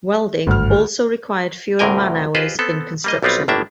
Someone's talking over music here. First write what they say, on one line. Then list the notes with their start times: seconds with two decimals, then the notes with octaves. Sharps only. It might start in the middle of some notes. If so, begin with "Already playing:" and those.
Welding also required fewer man-hours in construction.
0.47 G#1 D2 G2 F6
1.79 D2 A2 C3 A#4 G5 G#5
2.35 F4 G4 G#4 B4 C5 D#5
2.59 B3 C4 A4
3.04 G3 A#3 D#5
3.23 B1 G3 B3 C4 F4
3.48 G1 A2 A#3 D4 E5